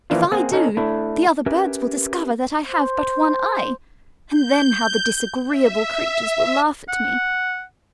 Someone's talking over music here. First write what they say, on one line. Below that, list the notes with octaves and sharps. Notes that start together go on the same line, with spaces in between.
If I do, the other birds will discover that I have but one eye, and then how the disagreeable creatures will laugh at me.
E3 F3 A#3 D4 F4
A#3 C4 G#4 F#5
C#4 D#4 A4
A3 D4 E4
C#4 G4 A#4 B4 E5
C5
G6
E5
F#5